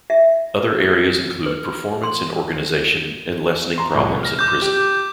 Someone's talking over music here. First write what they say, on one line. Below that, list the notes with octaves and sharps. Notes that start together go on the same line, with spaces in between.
Other areas include performance in organization and lessening problems in prison.
E5
B4
B4
C6
A#5 C6
C2 F2 A2
F6 A#6
D6 G6
G4